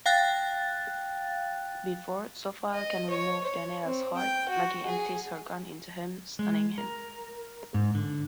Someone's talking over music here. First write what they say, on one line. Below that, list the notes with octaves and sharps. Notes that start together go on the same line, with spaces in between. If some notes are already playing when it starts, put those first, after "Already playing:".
Before Zophael can remove Danyael's heart, Maggie empties her gun into him, stunning him.
F5 G5 F#6 A6
D#5
C#5
C#5
C4
G5
F#4
G#4
G#3
A#4
G#2
D3